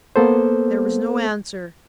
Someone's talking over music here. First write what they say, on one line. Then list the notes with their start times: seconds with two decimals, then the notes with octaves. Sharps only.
There was no answer.
0.16 A#3 B3 A4 C5